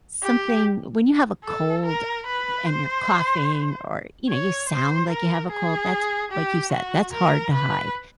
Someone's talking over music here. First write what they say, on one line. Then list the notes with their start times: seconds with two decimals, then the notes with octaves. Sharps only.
something when you have a cold, uh, and you're coughing, or, you know, you sound like you have a cold, that's like you said, that's hard to hide,
0.23 G4
1.44 A4
1.86 A#4
2.26 B4
2.66 C5
4.29 C#5
4.69 C5
5.10 A#4
5.51 G#4
6.32 G4
6.73 F#4
7.13 A#4
7.53 B4